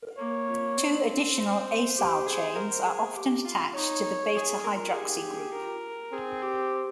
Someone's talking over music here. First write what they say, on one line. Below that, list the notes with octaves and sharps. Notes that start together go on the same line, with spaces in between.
Two additional acyl chains are often attached to the beta hydroxy group.
A#3 C#5
C4
C5
G4
G#4
A#4
G#4
G4
F4
D#4 C#5
G#4
A#4
G4 G#4
A#4
C4 G#4
G4